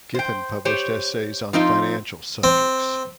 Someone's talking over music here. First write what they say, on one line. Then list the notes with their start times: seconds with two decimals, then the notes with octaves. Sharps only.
Giffen published essays on financial subjects.
0.14 C5 G5
0.65 G4 C5 C#5
1.53 F3 C4 D#4 F4
2.44 C4